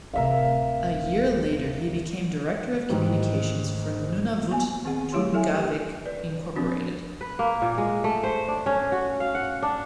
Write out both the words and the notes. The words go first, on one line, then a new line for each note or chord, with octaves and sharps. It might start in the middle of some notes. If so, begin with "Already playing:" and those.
A year later, he became director of communications for Nunavut Tunngavik Incorporated.
D1 C3 A#4 E5 F5
G#2 D#3 E3 G3 A3 D#4
A#3 B3 G#5
D#3 C4 G#4 F#5
F#3 A3 E4 G4 C#5 C6
G4 A4 E5 G#5
B4 D5
F3 C4 D4 F#4
B4
A#3
A#2
G#3
A3
C5
D4
C#4
F#4
F5
F#5
D4